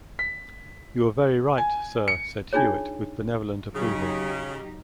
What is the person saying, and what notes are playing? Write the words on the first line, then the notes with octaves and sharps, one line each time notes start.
"You are very right, sir," said Hewitt with benevolent approval.
B6
G#5
C#7
D4 D#4 F4 G#4 C#5
C#3 F#3 D#4 G4